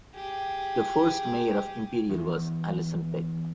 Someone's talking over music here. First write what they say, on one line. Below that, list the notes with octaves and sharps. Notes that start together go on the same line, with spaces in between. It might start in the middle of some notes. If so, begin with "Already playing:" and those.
The first Mayor of Imperial was Allison Peck.
G4 G#4
E2